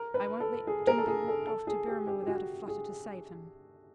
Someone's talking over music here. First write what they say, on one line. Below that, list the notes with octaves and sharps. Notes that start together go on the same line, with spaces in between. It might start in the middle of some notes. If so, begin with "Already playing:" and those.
I won't let Jim be walked off to Berrima without a flutter to save him.
Already playing: A#4
B4
A4
G#4
A#4
A4
G#4
A4
A4
G#4
G4
G4
G4
F#4
G#4